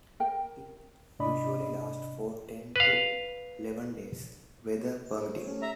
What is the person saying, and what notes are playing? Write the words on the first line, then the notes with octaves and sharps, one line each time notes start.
It usually lasts for ten to eleven days, weather permitting.
A#4 G5
G#2 C3 D4 D5 D#5 B5
B4 F5
G#4 A4 C5
C#5
A3 C#4 G4
E5 A#5